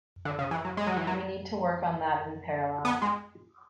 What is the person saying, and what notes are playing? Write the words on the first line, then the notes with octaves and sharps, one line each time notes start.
We need to work on that in parallel.
D3
C#3
E3
F#3
G#3
F#3
E3
F#3
B3
G#3